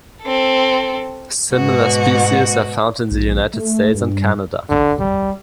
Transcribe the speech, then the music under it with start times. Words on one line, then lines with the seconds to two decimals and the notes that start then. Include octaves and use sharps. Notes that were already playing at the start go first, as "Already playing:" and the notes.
Similar species are found in the United States and Canada.
0.22 C4 A4
1.52 G#2 B2 F#4
3.12 A#1
3.54 A3
3.95 G2
4.69 D3
5.00 G3